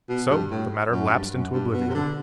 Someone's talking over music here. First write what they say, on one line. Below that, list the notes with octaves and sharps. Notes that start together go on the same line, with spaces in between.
So the matter lapsed into oblivion.
B2
G2
A2
F#2
F#2
G2
F#2
G2
B2
C3
D3